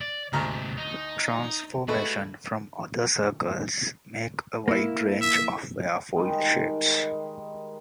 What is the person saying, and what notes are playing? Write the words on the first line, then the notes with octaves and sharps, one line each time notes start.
Transformation from other circles make a wide range of airfoil shapes.
D5
D2 G#2 C3 A#5 F6
D#4
G#3 A3 F#4 B4
A#3 E4
E5
D#3 G3 G#3